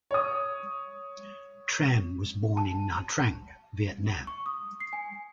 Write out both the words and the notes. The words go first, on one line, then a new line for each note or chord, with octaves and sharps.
Tran was born in Nha Trang, Vietnam.
C#5 D#6
A5
C#6
D#6
C7
G#5